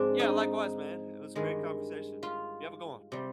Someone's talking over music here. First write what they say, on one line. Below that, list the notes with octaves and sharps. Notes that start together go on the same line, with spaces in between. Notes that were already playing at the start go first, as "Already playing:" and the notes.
Yeah, likewise, man. It was a great conversation. You have a good one.
Already playing: G#2 F3 G#3 C4 D4
D#4
G2 D#3 G#3
F4
C3 G3